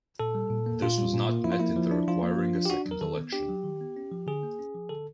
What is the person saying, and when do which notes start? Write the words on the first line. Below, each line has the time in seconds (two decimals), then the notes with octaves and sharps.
This was not met in the requiring a second election.
0.20 A#2 A4
0.35 G3
0.50 A#2
0.66 A#3
0.82 A#2 F4
0.98 G3
1.14 A#2
1.29 A#3
1.44 F3 E4
1.52 F4
1.60 A#3 E4
1.76 F3
1.91 D4
2.07 F3 F4
2.23 A#3
2.39 F3
2.55 D4
2.65 G4
2.70 D4 F#4
2.86 F#3
2.91 A#4
3.01 D#3 A4
3.17 B3
3.33 D4 G4
3.49 F#3
3.64 D#3
3.81 B3
3.96 C#4
4.11 F3
4.27 D3 G#4
4.43 A#3
4.59 C#4
4.75 F3
4.89 D3 A4